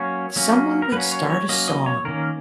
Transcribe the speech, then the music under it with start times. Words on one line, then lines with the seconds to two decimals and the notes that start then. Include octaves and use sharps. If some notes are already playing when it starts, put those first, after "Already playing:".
someone would start a song.
Already playing: F#3 A#3 C#4 C#5
0.36 F#3 A#3 C#4
0.82 A#4
0.92 F#3 A#3 C#4 B4
1.12 C#5
1.30 C#5
1.49 F#3 A#3 C#4 D#5
1.68 D#5
1.86 C#5
2.05 D#3 A#3 C#4 A#4